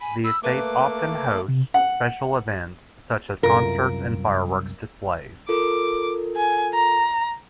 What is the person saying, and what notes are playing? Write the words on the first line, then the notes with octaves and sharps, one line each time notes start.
The estate often hosts special events, such as concerts and firework displays.
G#5 B5
B5 E6
A3 A#3 B4 D6
C3
F#5
C2 F#2 F4 A#4
F4 A4 A#4 D6
G#5
A#5